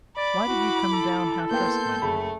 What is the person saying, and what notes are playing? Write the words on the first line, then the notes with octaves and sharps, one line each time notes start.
"Why did you come down half-dressed, my dear?"
D5 B5 D6
E4 F#4
A4
A#3 B3 G5 C6 G6
F#1 A3 B5